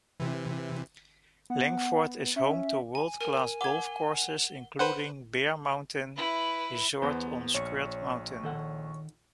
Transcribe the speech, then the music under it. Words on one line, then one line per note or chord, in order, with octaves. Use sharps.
Langford is home to world-class golf courses including Bear Mountain Resort on Skirt Mountain.
C3 E3
B3 F#5
C#4 E5
G#5
A#4 G#5
F#5 D6 G#6 G7
B4 C5 F#5
E4 B4
E2 B3 C5
A#1 C#5 C#6
D#3 A4 F#5